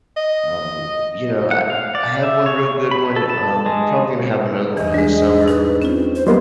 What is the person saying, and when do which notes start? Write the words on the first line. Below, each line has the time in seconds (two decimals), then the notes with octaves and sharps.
um, you know, I I had one real good one, um, we're probably gonna have another one in the summer.
0.17 D#5
1.51 F#5
1.70 F5
1.95 D5
2.23 E5
2.46 C#5
2.91 B5
3.16 A4
3.30 A5
3.66 G#3
4.77 E2 E3 D#5
4.94 G3 G#3 D4 G#4
5.48 D#4 B4
5.82 C4 C#4 F4
6.16 C5
6.27 F#3 G3 A#3 B3 D#5 C6